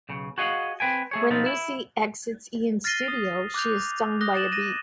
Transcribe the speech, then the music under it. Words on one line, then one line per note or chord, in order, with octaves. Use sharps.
When Lucy exits Ian's studio, she is stung by a bee.
B1 C#3
F#4 G#4 D#5 F5 F#5
C4 B4 G5 G#5
A3 G#4 C#5
B2 F3 B3 C4 D#4 F4
E4
F6 A6 A#6 C7 D#7 G7
D#6 F7
D6 F#6 G6 F7
D#6 F#6 A#6 G7
A6 E7 F#7
A#6 D#7